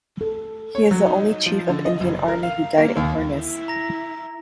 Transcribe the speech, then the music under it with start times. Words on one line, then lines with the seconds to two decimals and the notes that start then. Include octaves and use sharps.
He is the only Chief of Indian Army who died in harness.
0.21 A4
0.75 C#5
0.91 F#3
1.06 D#4
1.46 F3
1.69 D3
1.85 D#5
2.00 F#1
2.28 A#4
2.43 F5
2.78 A#3
2.96 D#2
3.32 E4
3.68 A#5 A#6